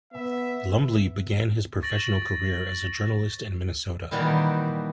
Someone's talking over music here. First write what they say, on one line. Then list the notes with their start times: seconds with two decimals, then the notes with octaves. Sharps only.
Lumbly began his professional career as a journalist in Minnesota.
0.13 B3 E5
1.82 C#6 A6 A#6 D7 F#7
4.11 A#2 D#3 E3 G3 A#3 F#4